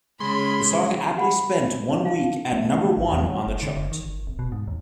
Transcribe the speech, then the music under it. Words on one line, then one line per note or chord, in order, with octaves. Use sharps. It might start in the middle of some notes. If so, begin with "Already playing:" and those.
The song aptly spent one week at number one on the chart.
C#3 G#3 B5 C6
G4 F#5 B5
F5 A5
A3
A3
A3
G#1
E2
F#3
G1
D3
F#1
D#3
G1
D1
B2
G#2
D#2